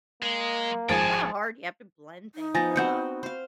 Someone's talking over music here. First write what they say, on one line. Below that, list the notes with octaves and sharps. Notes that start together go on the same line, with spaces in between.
it's kinda hard, you have to blend things up,
G#3 A#3
G#1 F3 G#4 G5 A5 A6
D#4
F3 B3 G#5 A6 A#6
B3 C4 F#4 F#5 G6 C#7
C5 F5